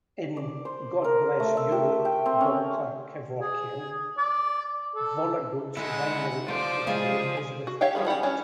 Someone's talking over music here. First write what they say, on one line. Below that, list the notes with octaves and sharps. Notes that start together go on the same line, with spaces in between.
In "God Bless You, Doctor Kevorkian", Vonnegut's final interview is with Trout.
D5
C5
A#4
A3
E5
G4
G5
C4
C#4
G#4
D5
A4
D3 G#3 E4 F#5
A3 F4 C5 D5
C#3 G#3 G#4 F5
F#4
G4 C#5 E5 F5 G5
D#3 G3 C#4 G#4 B5
C#4 G4 D5 F#5 B5
E3 C#4 D4